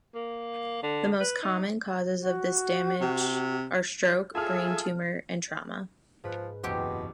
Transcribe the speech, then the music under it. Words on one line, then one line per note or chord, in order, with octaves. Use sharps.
The most common causes of this damage are stroke, brain tumor, and trauma.
A#3
D3
B4
D#4
F#4
C3
F4 G#4 A4 E5 G#5 A5 D#6 F6
G#2 F3 B4
F#1 E2 B2 C4 G4 C#5